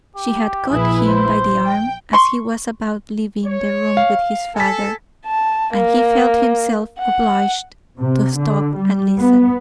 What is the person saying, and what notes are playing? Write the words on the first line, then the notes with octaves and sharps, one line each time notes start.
She had caught him by the arm as he was about leaving the room with his father, and he felt himself obliged to stop and listen.
G4
A#1 E4 G#4 B4
C5
G5
C6 C#6
C#5
F5
A4 G#5 B6
A5
A#3
F#5
C3
D3
G3
B3